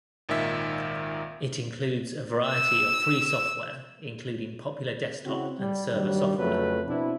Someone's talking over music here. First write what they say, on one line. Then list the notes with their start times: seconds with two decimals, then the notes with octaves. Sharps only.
It includes a variety of free software, including popular desktop and server software.
0.29 G#1 A#2 D#3 E5 B6
2.48 E6
5.26 C#3 C4 E4 F#4
5.60 G3
5.92 G2 D#3 F#3 G3
6.38 F2 C#3 F3 F#3 A3 B4
6.88 B2 B3 C4 D4 E4